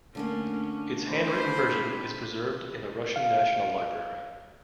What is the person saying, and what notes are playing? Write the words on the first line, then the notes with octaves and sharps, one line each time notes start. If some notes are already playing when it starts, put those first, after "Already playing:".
Its hand-written version is preserved in the Russian National Library.
D3 A3 A#3 C#4 D4
C4 C5 B5
F5